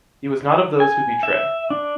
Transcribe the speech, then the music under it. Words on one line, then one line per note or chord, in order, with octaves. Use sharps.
He was not of those who betray.
G#5
E5
D4